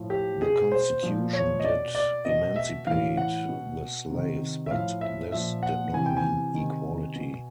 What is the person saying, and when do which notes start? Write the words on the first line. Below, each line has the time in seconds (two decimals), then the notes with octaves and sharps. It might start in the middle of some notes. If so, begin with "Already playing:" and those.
The constitution did emancipate the slaves, but this did not mean equality.
Already playing: A2 F3
0.10 G4
0.42 B2 G#4
0.72 C5
1.02 A#2 F3
1.33 C#5
1.60 D#5
1.64 B2 D5
1.95 D5
2.25 B2 D#5
2.56 E5
2.87 A2 E3 F5
3.17 F#5
3.49 B2
4.10 C3 D#3
4.66 E5
4.71 A2 F3 F5
5.01 E5
5.32 A#2 F3 E5
5.63 F#5
5.93 C3 E3 G#5
6.06 G5
6.17 G#5
6.54 C3 D#3
7.16 B2